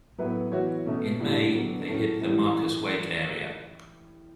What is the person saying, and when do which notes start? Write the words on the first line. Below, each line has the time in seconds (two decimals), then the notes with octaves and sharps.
In May they hit the Marcus-Wake area.
0.18 A2 F#3 B3 E4 B4
0.52 E3 B3 F#4 C#5 E5
0.86 B2 A3 C#4
1.19 A2 G3 D4
1.53 D3 F#3 B3 D4
1.88 A2 F#3 A3 C#4
2.21 A2 E3 G3 C#4 E4